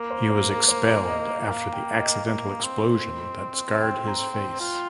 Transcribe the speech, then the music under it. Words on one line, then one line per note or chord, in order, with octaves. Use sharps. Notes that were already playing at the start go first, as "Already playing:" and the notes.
He was expelled after the accidental explosion that scarred his face.
Already playing: A#3 A#4
C5
C5
A#4
C5
D#5
A#3 F5
G5
D#5
A#3
C4
G5
A#5
G5
F4 G5